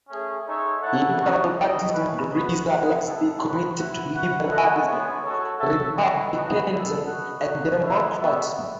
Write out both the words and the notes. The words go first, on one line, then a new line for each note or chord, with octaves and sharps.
Liberal parties in Greece are largely committed to liberalism, republicanism and democracy.
A3 C#4 G#4
G#3 D#4 A4 C#5 E5
E4 A4 C#5 F#5
A3 D#4 F#4
D#4 A4 D#5
C#4 E4 B4
G#3 B3 F#4 B4
G#3 D#4 G#4 D#5 F#5
B3 E4 A4
B3 F#4 B4
E4 B4 F#5
F#4 B4 F#5
A3 E4 A4 D#5 F#5
G#3 B3 E4 G#4 C#5
F#4 A4 C#5
F#4 A4 E5
A3 E4 B4 D#5
A3 D#4 F#4 B4 D#5
B3 E4 A4
F#4 B4 D#5 F#5
D#4 F#4 C#5 F#5
A3 C#4 G#4 B4 E5
B3 F#4 A4 E5